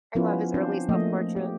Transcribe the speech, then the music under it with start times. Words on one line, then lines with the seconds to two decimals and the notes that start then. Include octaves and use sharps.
I love his early self-portraits.
0.15 F3 B3 C#4 E4 F4 B4
0.54 C4 D4 F4 C5
0.89 F3 A3 A#3 D#5
1.36 G4